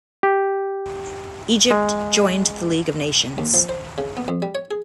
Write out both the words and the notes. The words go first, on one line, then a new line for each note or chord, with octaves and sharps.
Egypt joined the League of Nations.
G4
G#3
D#2
F3
C5
C#3
B3
F2
G3
C#5
G#4